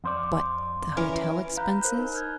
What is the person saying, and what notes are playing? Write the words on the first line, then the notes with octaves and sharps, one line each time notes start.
"But the hotel expenses?"
F2 C5 D5
E3 C#4 A#4
F5 A#5 B5 F#6 G6
A#4 C5 F#6 G6
D#4
F6 G6 G#6